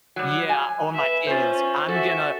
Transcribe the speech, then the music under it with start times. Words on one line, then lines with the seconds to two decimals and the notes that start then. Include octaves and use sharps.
Yeah, or my kids, I'm gonna
0.16 F#3 G3
0.49 G#5
0.94 B4 E5
1.27 C#4 F4 C5
1.88 F#4 A4 E5